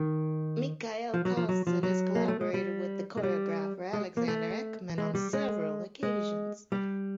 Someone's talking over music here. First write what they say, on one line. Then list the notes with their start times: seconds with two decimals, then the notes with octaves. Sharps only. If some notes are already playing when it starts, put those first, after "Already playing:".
Mikael Karlsson has collaborated with the choreographer Alexander Ekman on several occasions.
Already playing: D#3
1.14 F3
1.25 F#3
1.37 F3
1.49 F#3
1.67 F3
1.83 F#3
2.15 A#3
2.28 A3
2.41 G#3
2.54 G3
3.17 G#3
3.23 G3
3.93 G#3
4.17 A#3
4.28 A3
4.98 G#3
5.15 G3
5.33 G#3
6.03 G#3
6.72 G3